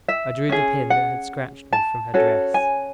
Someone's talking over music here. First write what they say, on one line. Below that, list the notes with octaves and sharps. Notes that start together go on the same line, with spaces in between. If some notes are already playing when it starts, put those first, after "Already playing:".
I drew the pin that had scratched me from her dress.
E5
C#4 G#4
F#5
A5
C#4 F#4 A4
G#5